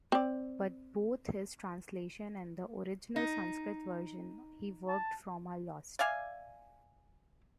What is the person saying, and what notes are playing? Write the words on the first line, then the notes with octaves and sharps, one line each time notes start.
But both his translation and the original Sanskrit version he worked from are lost.
C4 D5
D#4
A5
D5 E5 F5 G#5